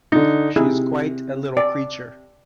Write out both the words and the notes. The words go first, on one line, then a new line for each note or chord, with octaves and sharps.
She is quite a little creature.
D3 D#4
C3 D#4 E4 G#4
D5